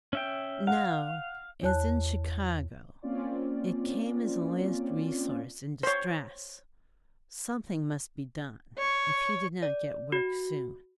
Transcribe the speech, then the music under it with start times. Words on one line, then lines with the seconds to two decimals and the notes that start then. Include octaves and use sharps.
Now, as in Chicago, it came as a last resource in distress. Something must be done if he did not get work soon.
0.13 C#4 E5 G5
0.67 F5 F#5
1.63 E2 C#5 A5 F#6
3.03 A#3 C4 C#4 F4 D5
5.83 C5 C#5
8.78 C#5
9.63 D5
10.12 F#4